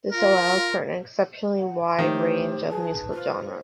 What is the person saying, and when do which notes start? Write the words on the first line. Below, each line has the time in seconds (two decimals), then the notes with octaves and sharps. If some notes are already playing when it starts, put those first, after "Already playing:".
This allows for an exceptionally wide range of musical genres.
0.12 F4 A#4
1.59 F#5
1.86 C6
1.98 D#3 A3 G4 C5 C#5 E5
2.70 D#4 G#4 B4 A5
3.13 F4 C5